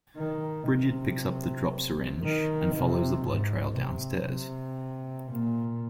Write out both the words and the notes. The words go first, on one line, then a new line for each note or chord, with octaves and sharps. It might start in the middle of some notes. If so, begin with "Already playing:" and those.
Brigitte picks up the dropped syringe and follows the blood trail downstairs.
D#3
C3
D#3
C3
G#2
C3
C3
A#2